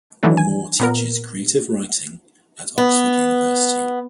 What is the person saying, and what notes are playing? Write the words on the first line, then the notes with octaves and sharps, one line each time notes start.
Moore teaches Creative Writing at Oxford University.
D#3 E3 F#3 A3 D4
G#5
A#2 B3 A#4
B3